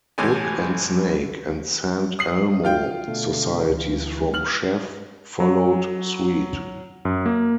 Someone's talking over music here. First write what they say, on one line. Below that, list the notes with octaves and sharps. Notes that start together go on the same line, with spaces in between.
Book and Snake and Saint Elmo societies from Sheff, followed suit.
C#2 A2 E3 G#3 G4 G#5
D#6 C7 F#7
F4 F5 G5
B2 D3 A3
D2 E3
F6 F#7
F#3
F#2
A#3